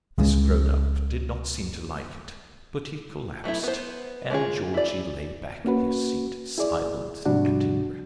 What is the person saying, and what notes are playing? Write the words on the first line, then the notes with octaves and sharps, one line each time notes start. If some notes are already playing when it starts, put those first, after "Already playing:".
This grown-up did not seem to like it, but he collapsed, and Georgie lay back in his seat, silent and enraptured.
C#2 C#3 G#3
F#3 A3 B3 E4
B3 C5
G#3 C#4 F4 G#4
E4 D5
A#3 C#4 F#4 B4
E4 G#4 D5
G#2 C3 F3 G3 D4 F#4